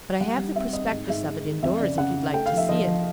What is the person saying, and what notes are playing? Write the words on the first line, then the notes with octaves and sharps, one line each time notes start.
But I have the prospectus of it indoors if you'd like to see it.
G3 F#5
G3
C4 E5
C4 D#5
G#2
G#2 E5
G#3
D#3
F2 E5
C#3 D5
C#3 F#5
C#3
A3 G5
F5
F3
E5
F3 D#5
F3